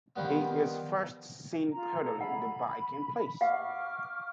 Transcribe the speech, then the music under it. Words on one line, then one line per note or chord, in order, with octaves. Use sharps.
He is first seen pedaling the bike in place.
D#3 F3 G3 B3
F4 A#5
G#4 A4 A#5
F#5 B5
F5 F#5 C#6 D6 F6